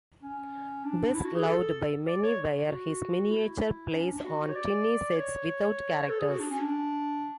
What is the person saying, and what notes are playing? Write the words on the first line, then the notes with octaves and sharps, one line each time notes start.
Best loved by many were his miniature plays on tiny sets without characters.
C#4
D4
E4
F#4
G#4
A4
D5
C#5
F#4
E4
D4
C#4
D4
F#4
C#5
D5
C#5
A4
G#4
F#4
D4
C#4
D4